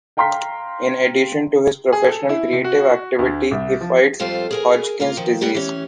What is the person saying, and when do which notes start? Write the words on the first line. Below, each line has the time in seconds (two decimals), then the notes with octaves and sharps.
In addition to his professional creative activity,he fights Hodgkin’s disease.
0.17 F5 G5 A#5 C6 F6 B6
1.93 G#4
2.06 A4
2.29 E4
2.53 C3
2.64 F#4
3.19 D2
3.51 C2
3.81 F3
4.20 F2 G3 F4 A4 C5
4.51 G#4 A#4 G#5
5.00 A#3 F4 A#4
5.17 D#3 F3
5.41 G3 B3 G4 A#4
5.55 E3 C#4